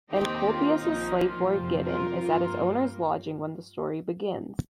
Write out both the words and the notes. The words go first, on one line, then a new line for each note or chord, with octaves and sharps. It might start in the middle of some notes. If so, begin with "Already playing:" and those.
Encolpius's slave boy, Giton, is at his owner's lodging when the story begins.
D#2 D#3 C4 D#4 G4
F4
A#1 A#2 F3 A#3 D#4
F4
F2 C3 F3 C4
F4 A#4
G2 G3 A#3 F4 A#4